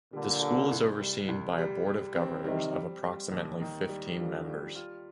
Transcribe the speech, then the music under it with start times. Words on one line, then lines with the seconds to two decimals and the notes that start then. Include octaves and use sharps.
The school is overseen by a Board of Governors of approximately fifteen members.
0.13 A#2 D3 G3
0.42 G3
0.71 C2
1.00 G3
1.28 C2
1.58 G3
1.87 G3
2.15 C4
2.44 C3 D#3 G3
2.74 G3
3.03 G3
3.32 D#2
3.61 D#3
3.89 G3
4.17 D3 F3 G3
4.47 G3
4.75 F4